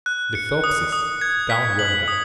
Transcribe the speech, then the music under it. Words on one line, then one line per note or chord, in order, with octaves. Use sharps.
"The Phelpses, down yonder."
F#6
C#7
D#6
D#6
G#6
B6
F#7
D#6